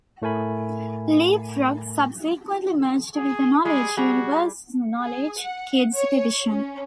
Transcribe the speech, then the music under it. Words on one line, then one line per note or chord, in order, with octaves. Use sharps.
LeapFrog subsequently merged with Knowledge Universe's Knowledge Kids division.
A2 A3 A#4 G#5 B5
G#4
G3 G#3 G#4
G3 F#4 G#4
G#4
F#5
C#5
C#4